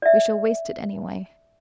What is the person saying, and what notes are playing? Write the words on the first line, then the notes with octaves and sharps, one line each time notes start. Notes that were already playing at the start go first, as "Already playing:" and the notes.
We shall waste it anyway....
D5 E5